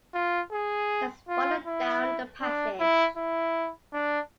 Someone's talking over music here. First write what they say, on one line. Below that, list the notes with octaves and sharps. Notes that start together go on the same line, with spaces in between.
That's farther down the passage.
F4
G#4
F4
E4
D4
E4
E4
D4